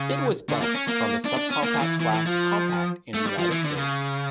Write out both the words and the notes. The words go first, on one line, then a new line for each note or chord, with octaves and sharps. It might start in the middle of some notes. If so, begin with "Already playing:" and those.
It was bumped from the subcompact class to compact in the United States.
Already playing: C#3
D3
A#3
C#4
A#3
D4
D4
C#4
A#3
E3
E3
E3
F3
A3
G3
F3
E3
D3
C#3